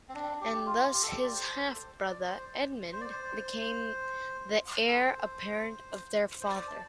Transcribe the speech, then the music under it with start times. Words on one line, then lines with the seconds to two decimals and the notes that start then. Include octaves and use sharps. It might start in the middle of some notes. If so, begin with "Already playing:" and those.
And thus his half brother, Edmund, became the heir apparent of their father.
0.09 C4
0.14 D4
0.41 G4
0.66 F4
0.94 G4
1.02 A4
1.11 G4
1.24 D5
1.34 C5
1.68 A4
1.73 C5
1.99 D5
2.26 C5
2.92 C5
3.01 D5
3.10 C5
4.88 A4
4.92 C5
6.41 C5
6.51 D5
6.68 A5